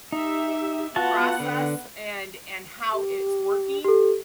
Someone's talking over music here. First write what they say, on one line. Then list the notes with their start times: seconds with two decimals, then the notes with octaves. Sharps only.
process and and how it's working,
0.12 D#4 G4 E5
0.96 B3 F4 F#4 F#5 A5
1.40 D3
2.94 G4
3.84 G4 A4